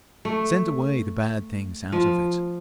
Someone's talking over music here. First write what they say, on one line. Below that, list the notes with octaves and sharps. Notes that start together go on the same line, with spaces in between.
Send away the bad things out of it.
A3
F3